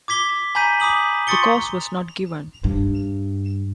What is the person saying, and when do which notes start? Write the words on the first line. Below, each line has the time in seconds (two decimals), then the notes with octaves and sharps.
The cause was not given.
0.08 D6 G#6 B6 G7
0.55 G#5 A#5 B5 G6 B6 D#7
0.80 B5 D6 D#6 F#7
1.27 C6 C#6 D#6 A6 C#7 G7
2.64 G2